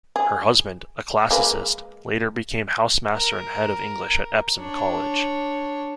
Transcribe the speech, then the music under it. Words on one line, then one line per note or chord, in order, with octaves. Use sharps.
Her husband, a classicist, later became housemaster and head of English at Epsom College.
G#4
G#3 A#3 B4
A#4
D4 C#5